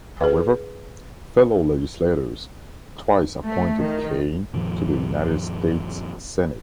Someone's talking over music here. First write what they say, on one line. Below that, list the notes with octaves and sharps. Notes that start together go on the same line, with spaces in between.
However, fellow legislators twice appointed Kane to the United States Senate.
G#4 B4
A3
D#3
F#2 A#2 D#3 F3